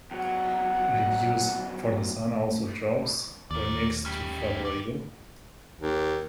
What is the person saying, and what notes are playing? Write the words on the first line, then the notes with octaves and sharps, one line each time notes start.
Reviews for "The Son Also Draws" were mixed to favorable.
E2 F#3 F#5
D#2 D#3 D5
C#4 G4
G4 D5
D#2